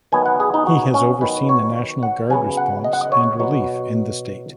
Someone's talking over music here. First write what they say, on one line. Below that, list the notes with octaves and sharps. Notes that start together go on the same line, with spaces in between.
He has overseen the national guard response and relief in the state.
D#3 F#3 B3 G#5
F#5
G#4
D#4
F#4
C#4
D#3 F#3 B3 B4
C#5
F#5
C#3 F#3 B3 G#5
F#5
D#5
F#5
D#5
C#5
B2 F#3 B3